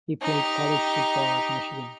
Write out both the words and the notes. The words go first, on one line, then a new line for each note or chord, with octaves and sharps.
He played college football at Michigan.
D#4 G4